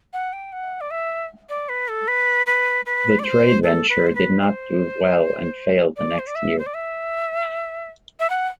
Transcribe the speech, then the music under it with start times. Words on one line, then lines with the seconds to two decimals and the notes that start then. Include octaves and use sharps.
The trade venture did not do well and failed the next year.
0.13 F#5
0.33 G5
0.52 F#5
0.81 D5
0.91 E5
1.49 D5
1.69 B4
1.88 A4
2.08 B4
2.46 B4
2.86 B4
3.19 D5
3.24 C5
3.63 A4
3.89 B4
4.07 C5
4.15 B4
4.41 C5
5.96 D5
6.19 C5
6.27 D5
6.35 E5
6.59 C5
6.66 D5
6.74 E5
8.20 E5
8.30 F#5